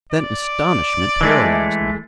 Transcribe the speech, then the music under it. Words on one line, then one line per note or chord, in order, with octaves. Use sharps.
Then astonishment paralysed me.
D5
E3 G#3 A3